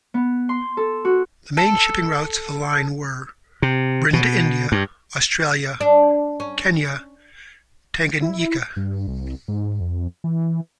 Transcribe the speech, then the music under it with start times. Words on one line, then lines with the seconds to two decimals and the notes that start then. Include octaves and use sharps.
The main shipping routes of the line were: Britain to India, Australia, Kenya, Tanganyika.
0.14 B3
0.49 C6
0.77 A4
1.05 F#4
1.57 A4
3.62 C3
4.13 B2
4.72 G2
5.81 D4
6.40 C#4
8.22 E4
8.76 G2
9.08 C2
9.48 G#2
9.80 F2
10.24 E3